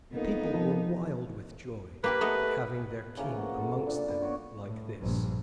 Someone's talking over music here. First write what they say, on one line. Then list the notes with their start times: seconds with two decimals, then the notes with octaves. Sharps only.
The people were wild with joy at having their King amongst them like this.
0.13 F2 A#3 B3 D#4
0.54 F3
2.04 A#3 G4 A#4 B4
2.21 A3 B3 D#5
3.17 C#3 E3 F3 A#3
3.37 F#4 F#5
3.58 C3 F4 A4
3.86 A#2 D4
4.09 B3
4.22 F#4 C#5 D5 C#6
4.65 A2
4.98 A#1 G2